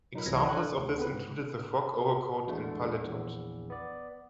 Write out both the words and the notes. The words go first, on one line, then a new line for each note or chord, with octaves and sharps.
Examples of this included the frock overcoat and paletot.
F#3 D#4 F4 A#4 B5
C2 C3 E3 F#3 G#6 A#6
D4 A4 C#5 C#6 F#6
D2
B3 C4 G#4 B4
G#2
E2 D3 G#3 A3
A#1 E2
B3 D5